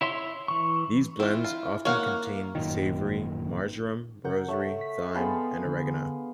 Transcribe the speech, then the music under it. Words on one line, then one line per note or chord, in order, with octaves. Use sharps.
These blends often contain savory, marjoram, rosemary, thyme, and oregano.
E4 C#5 E5 C6
E3 C#6
C4 E4 F4
F4
A#3 C#5 F5 F#5
A1 F#2 A#2 D#3
C#3 A#4 F#5 G6
A3 A4 C#5
B6
G#3 B3 F5 G5 A5
D3